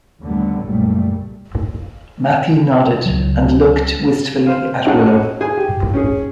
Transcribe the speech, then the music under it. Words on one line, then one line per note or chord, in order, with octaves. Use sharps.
Matthew nodded and looked wistfully at Willow.
D#2 A2 D3 F#3 G3 B3
F#1 B1 A#2 G3 A3
C#2 C#3 F#3
C5 F5
C#4 D#4 F#4 G#4 A4 F#5
G#4 G#5
G4
C#4 G#4